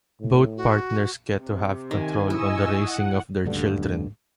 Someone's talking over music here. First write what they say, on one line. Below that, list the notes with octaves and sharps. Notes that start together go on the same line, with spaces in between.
Both partners get to have control on the raising of their children.
A2
F#4
C3
D#3 G#5
E4 D#5 G#5 C#6 D#6 E6
F#5
D#1 D2 G2 D3